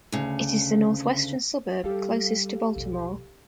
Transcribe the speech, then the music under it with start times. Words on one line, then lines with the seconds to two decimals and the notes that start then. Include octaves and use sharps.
It is the northwestern suburb closest to Baltimore.
0.12 D2 C#3
1.84 G3 G4 A4 F5
2.76 B1 E2